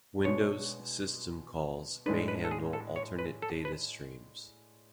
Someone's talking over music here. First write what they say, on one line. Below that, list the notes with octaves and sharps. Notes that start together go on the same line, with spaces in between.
Windows system calls may handle alternate data streams.
B2 G#3 D4 C#5
A2 G#3 D4 B4
B4
A4
G#4
A4
C#5
B4
A4
B4